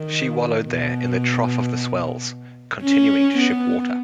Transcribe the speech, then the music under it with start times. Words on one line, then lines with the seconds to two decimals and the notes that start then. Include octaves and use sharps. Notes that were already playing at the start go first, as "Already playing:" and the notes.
She wallowed there in the trough of the swells, continuing to ship water.
Already playing: D#3
0.65 B2
2.83 C#4
3.37 B3